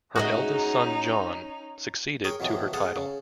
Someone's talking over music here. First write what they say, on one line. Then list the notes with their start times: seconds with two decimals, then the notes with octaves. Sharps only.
Her eldest son, John, succeeded to her title.
0.16 C#4 D#4 F#4 G#4 D#5
2.24 G#4 A#4 C#5 G5
2.40 F2 B2 D#3 E3 F#3
2.73 G#4 A4 F#5
2.96 C#3